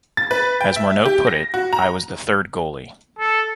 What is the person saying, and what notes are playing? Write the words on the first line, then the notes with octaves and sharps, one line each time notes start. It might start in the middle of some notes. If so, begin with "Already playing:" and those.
As Morneau put it, I was the third goalie.
A6
B4
G5
E5
G4
A#6
F#4
A#5
A4